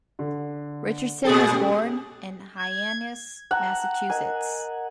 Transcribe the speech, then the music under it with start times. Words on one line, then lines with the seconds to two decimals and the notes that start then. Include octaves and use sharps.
Richardson was born in Hyannis, Massachusetts.
0.19 D3
1.25 A#2 G#4 A4
1.51 A3 C#4 G4
2.58 G#6
3.51 F#5 G5 A5 A#5
4.10 A#4 D#5 G#5 A#5